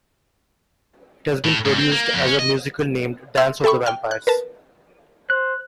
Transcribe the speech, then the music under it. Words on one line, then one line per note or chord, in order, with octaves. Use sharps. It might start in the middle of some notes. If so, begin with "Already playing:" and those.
It has been produced as a musical named "Dance of the Vampires".
A2
G#2
C4
A#3
F2
C#4
D#5
E5 C6 E6
A4 E5 G5 B5 C#6
G5 F6
F#6
A#4 B4 A5
C5 F#6